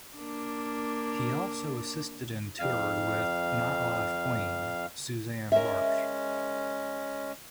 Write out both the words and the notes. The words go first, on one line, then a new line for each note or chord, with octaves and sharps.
He also assisted and toured with the "Nightlife Queen", Susanne Bartsch.
A#3 D4
F2 F5
G#3 C#4 A#4 E5